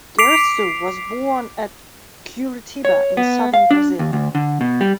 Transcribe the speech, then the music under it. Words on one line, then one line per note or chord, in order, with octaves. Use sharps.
Dirceu was born at Curitiba, in southern Brazil.
D6 B6 C7 D7 F7
C#5
B3
F5
D4
D#2
D2
D3
B2
G3